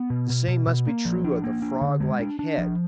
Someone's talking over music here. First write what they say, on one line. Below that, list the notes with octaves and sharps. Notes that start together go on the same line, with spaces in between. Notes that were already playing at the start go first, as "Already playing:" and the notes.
The same must be true of the froglike head.
Already playing: B3
B2
B2
B2
B2
A#3
F3
D4
A#3
D4
D3
G#3
D4
D4
F3